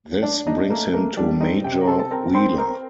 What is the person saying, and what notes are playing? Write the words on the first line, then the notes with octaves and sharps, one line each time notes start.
This brings him to Major Wheeler.
D4 D5
D4 D#4 D#5
A3 A#3 A#4
A3 A#3 A#4
G3 D4 D5
C4 D#4 D#5
C3 G4 G5
A#5
C3 A4 A5
A5
C4 A#4 A#5
C4 C5 C6
C4 A#4 A#5